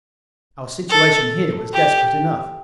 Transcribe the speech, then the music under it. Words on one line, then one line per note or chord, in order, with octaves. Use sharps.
Our situation here was desperate enough.
A4
G4